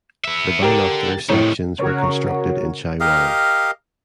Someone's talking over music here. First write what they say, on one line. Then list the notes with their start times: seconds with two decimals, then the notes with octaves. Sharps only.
The binocular sections were constructed in Chai Wan.
0.24 B3 E5
0.62 D3 D4 G4 A#4
1.29 A2 C3 D#3
1.79 C#3 F#4 A#4 C#5
3.00 G4 A#4 D#5 F5